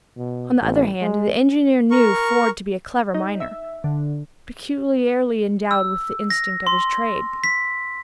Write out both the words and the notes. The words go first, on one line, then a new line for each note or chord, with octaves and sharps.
On the other hand, the engineer knew Ford to be a clever miner, peculiarly endowed with the instinct of his trade.
B2
A1
G#3
A#4 C#6
D#4
E5
D3
E6
A#6
C6
B6